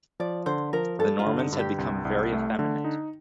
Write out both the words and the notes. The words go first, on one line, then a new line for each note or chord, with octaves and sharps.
The Normans had become very effeminate.
F3 D5
D3 C5
F3 A#4
G2 A4
F4
D3
D#4
G2
G4
C2
C2
A3
D3
D#4